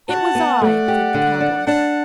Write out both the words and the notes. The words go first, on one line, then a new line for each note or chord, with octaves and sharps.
"It was I," said the cowboy.
F#4 F#5 A5
B3
A3 D5 F#5
G4
D3
D4
D4 F#5 A5